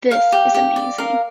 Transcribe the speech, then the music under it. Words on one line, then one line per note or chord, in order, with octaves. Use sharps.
This is amazing.
A#4 F5
G4
G4
D5
A#4 F5